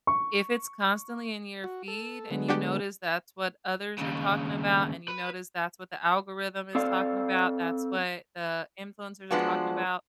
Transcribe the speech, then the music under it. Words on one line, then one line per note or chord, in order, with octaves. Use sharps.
if it's constantly in your feed and you notice that's what others are talking about and you notice that's what the algorithm is talking about, that's what the influencers are talking about,
C#6
F#4
A4
D3 G#3 B3
D4 F#4 G4
D#2 C#3
B4
C4 A4 D5 F5
F3 G#3 B3 D4 F4 F#4